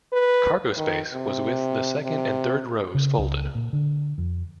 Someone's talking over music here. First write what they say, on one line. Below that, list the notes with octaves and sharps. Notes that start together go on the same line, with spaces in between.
Cargo space was with the second and third rows folded.
B4
D#3
C3
C3
C#3
C#2
A#2
D3
F2